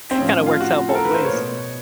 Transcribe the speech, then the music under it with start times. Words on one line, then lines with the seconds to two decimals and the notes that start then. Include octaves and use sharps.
kinda works out both ways.
0.11 C4
0.17 A2 C#4
0.21 F3
0.46 F4
0.60 F#4
0.89 A4
0.95 A#4
1.05 B4
1.14 C5
1.24 C#5
1.33 B2